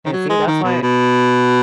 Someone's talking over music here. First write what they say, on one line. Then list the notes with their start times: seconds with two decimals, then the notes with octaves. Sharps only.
and see that's why
0.06 D#3
0.13 F#3
0.30 G#3
0.47 D#3
0.64 B2
0.82 B2